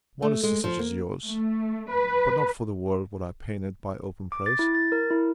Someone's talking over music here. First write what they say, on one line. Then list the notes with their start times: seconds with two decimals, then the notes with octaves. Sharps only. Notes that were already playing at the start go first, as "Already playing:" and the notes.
Modesty such as yours--but not for the world would I pain it by open praise.
0.22 A3
0.43 G#3
0.64 F3
0.79 A#3
1.25 A3
1.92 B4
4.32 D6
4.46 A6
4.59 E4
4.75 A6
4.92 A#4
5.11 E4